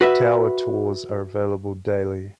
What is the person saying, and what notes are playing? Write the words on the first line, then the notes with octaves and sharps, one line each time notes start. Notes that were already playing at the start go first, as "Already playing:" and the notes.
Tower tours are available daily.
F#4 B4 E5